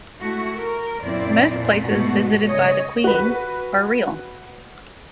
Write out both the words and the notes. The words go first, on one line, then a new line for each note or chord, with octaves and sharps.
Most places visited by the "Queen" are real.
A3 E4 F#4
A#4
F#2 A#2 C4 E4 D5
F2 A#2
G#2 B2 G3 A3 B3 F#4
C#3 C#5 D#5
F#4 B4